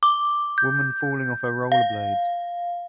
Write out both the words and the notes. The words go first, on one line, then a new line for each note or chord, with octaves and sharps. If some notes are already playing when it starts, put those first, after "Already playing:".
Woman falling off her rollerblades.
D6
G6
F5